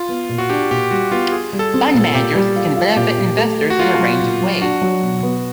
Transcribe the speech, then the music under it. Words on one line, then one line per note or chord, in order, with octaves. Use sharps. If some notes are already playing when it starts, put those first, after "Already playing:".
Fund managers can benefit investors in a range of ways.
Already playing: F4
B3
A#2
F#4
D4 G4
A#2 G4
G3 F#4
B3 F4
F4 G#4
G3
A4
C4
A#2
A#2 G4
G3
F4
F4
A#2 G4
A#2
A3
A3
F#4
A3 F4
F#3
A#2
F#3
D4 F#4
F#3
B2
B3